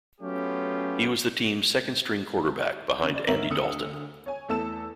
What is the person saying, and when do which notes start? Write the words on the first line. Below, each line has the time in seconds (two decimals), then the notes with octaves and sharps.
He was the team's second-string quarterback behind Andy Dalton.
0.21 F#3 A3 B3 C#4 F4 G4
3.02 C#3
3.15 D5
3.28 G#2 C4 A#4 C#5 E5 F#7
3.50 D2 D#6 E6 C#7
4.26 C#5 G#5
4.49 E2 A3 A4 A5 E6 E7